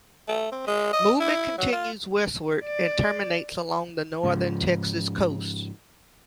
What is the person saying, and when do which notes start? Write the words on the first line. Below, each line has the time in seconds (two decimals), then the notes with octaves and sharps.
Movement continues westward and terminates along the northern Texas coast.
0.28 A3
0.52 C4
0.67 G#3
0.93 D#5
1.20 E4
1.58 F#3
1.72 F4
2.66 D5
4.23 G#2 C#3 F3